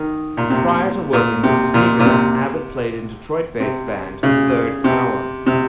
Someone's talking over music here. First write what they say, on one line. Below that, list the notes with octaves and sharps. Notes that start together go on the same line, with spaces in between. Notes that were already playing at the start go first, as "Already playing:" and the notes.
Prior to working with Seger, Abbott played in Detroit-based band Third Power.
Already playing: D#3
A#2
C3
A#2
C3
A#2
A#2
C3
C3
C#3
C3
C3